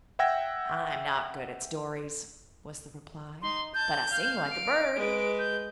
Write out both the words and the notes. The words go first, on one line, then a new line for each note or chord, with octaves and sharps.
"I'm not good at stories," was the reply; "but I sing like a bird."
E5 F#5 G5 E6 G#6 A#6
D#4 C6
A5 G6
F5
D7
G#3 B4
G6